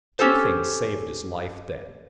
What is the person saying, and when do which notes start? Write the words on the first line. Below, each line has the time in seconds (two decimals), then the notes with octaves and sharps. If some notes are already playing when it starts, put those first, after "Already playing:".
Two things saved his life then.
0.19 C#4 G4 A4 C5